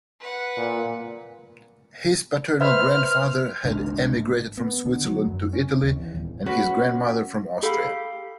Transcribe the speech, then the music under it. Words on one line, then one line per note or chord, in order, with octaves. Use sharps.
His paternal grandfather had emigrated from Switzerland to Italy and his grandmother from Austria.
B4 F#5
A#2
B4 C5 E5 F6
G#1 C#2 G#2 D3
B3
D3
F#3
F#2
C#4
D#2
E2
D#1
C#4 F#4 B4 C#5
G4 A4 F5 B5